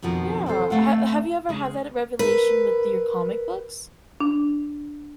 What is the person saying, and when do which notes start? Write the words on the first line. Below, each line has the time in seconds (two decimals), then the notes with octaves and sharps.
Yeah, h have you ever had that revelation with your comic books?
0.02 F2 B2 D#3 F3
0.46 C3 E3 A4 C5
0.70 C3 G#3 A3 F5 F#5
1.49 C#3 G#3
2.19 A#4 B4
4.20 D4